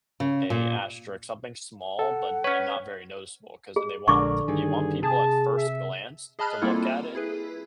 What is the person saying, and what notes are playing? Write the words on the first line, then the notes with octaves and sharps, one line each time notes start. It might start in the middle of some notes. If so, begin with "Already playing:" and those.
a asterisk, something small but and not very noticeable 'cause then they want th they want people at first glance to look at it
C#3
A#2
A4 F#5
C#4 B4 C#5
G#4
A#1 D3 G#3 D4 A#4 C#6 D6
G2 D#3 G#4
C3 G#4 A5
E5
G#4 D#5 A5 B5 F6 F#6
G3 A#3 C4 E4 F4 A4
E4 G#4 B4